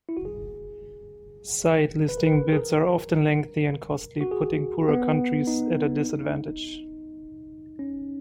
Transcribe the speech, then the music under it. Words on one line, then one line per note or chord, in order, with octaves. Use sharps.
Site listing bids are often lengthy and costly putting poorer countries at a disadvantage.
E4
F#4
G#4
B4
A#4
B4
G#4
A#4
F#4
G#4
B3
D#4
C#4